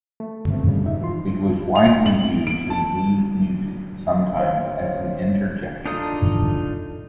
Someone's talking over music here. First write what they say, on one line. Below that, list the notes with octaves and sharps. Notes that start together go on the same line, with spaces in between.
It was widely used in blues music, sometimes as an interjection.
A3
C#3 G#3 A3 B3 C4
C#3 G3
G#2 D#4 E5
G#2 E3 F4 C6
F7
F#7
D7
A5
C5 C#5 F5
D4 D#4 F4 A4 D#6